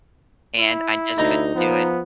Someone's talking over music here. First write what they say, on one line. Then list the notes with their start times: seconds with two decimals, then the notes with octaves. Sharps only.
and I just couldn't do it,
0.59 E4
1.18 D2 D#4 A#5
1.55 F3 B3